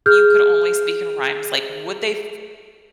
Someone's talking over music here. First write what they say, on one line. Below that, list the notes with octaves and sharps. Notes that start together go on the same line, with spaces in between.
you could only speak in rhymes, like, would they f
G#4 F6 G6